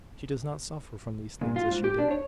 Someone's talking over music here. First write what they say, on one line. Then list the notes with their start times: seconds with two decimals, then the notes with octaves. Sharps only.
She does not suffer from these things as she did.
1.41 A#2
1.56 F4
1.71 G#2
1.84 G4
1.98 D4
2.11 C#5